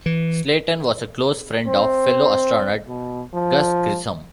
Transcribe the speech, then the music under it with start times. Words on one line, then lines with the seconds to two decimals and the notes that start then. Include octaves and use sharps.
Slayton was a close friend of fellow astronaut Gus Grissom.
0.06 E3
1.68 C4
2.87 B2
3.34 F3